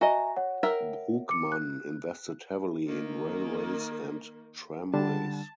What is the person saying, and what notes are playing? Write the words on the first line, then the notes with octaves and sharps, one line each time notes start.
Brugmann invested heavily in railways and tramways.
F#4 D#5 E5 G#5 A#5
C#5 F#5
A#4 E5 G5
D6 C#7
F#6
D#3 A#3
D3 G3 D4 A5